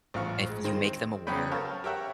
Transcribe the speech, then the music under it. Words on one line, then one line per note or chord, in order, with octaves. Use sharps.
if you make them aware,
A1 F3 F5 C#6
G#3
D#3 G#3 C4 C5
C#3 F#3 B3 C#4 G5 B5
A4 A#4 C#5 F5
G4 A#4 C#5 E5 F#5